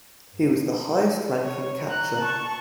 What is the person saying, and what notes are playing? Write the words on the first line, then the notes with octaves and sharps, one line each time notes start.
He was the highest-ranking catcher.
C#5
A#5 F#6
A5 C#6